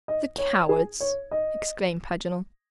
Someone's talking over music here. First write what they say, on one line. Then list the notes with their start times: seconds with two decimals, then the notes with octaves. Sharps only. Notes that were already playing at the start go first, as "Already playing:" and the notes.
"The cowards!" exclaimed Paganel.
0.08 D#5
0.38 C#5
0.69 G#4
1.00 C#5
1.31 D#5